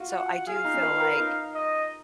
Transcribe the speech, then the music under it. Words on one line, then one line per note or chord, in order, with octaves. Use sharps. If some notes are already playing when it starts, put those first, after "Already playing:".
So, I do feel like
Already playing: F4 F#4
F#5
G#4 F5
F4
D#4
C#4
B4
A#4
F4
D#4
D#5